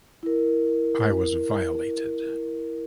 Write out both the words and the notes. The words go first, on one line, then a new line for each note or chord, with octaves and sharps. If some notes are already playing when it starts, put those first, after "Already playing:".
I was violated.
E4 A#4